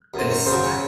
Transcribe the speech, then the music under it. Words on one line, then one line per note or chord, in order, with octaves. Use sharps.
it's like
F#2
C5
C#5
C#3 F#3 C5
C#5